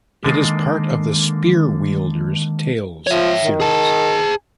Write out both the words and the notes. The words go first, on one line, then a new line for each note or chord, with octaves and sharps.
It is part of the Spearwielder's Tales series.
D3 D#3 G#3 A#3
F3 C#5 E5
D#3
G#4 A5